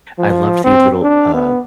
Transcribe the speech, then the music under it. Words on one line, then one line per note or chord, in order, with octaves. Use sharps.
I love the little, uh
F3
C4
D4
B3